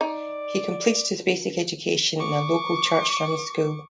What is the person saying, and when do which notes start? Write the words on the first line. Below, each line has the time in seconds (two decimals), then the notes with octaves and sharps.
He completed his basic education in a local church-run school.
0.01 D#4 D5
2.19 C#6 D6